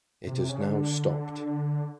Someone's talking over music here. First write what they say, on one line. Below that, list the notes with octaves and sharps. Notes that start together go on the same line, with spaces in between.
It has now stopped.
C3
C3
C#3
D3